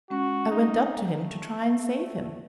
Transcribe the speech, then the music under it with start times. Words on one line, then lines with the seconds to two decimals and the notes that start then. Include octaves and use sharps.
I went up to him to try and save him.
0.10 G#3 C#4 F#4
0.51 D#4
1.17 A3